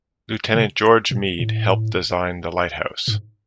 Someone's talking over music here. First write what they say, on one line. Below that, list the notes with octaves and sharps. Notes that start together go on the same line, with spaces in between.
Lieutenant George Meade helped design the lighthouse.
C3
A#2
A2
G#2